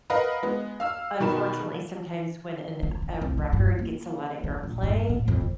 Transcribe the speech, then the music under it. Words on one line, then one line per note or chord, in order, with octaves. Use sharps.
Unfortunately, sometimes when an a record gets a lotta airplay,
A#4 B4 D#5 F5 F#5 B5
G#3 B3
F5 E6 F6
B2 D#3 F#4 B5 E7
D3
D3
C2
D3
G2
A#3
D3
A#1
G2
A2
F2
D#3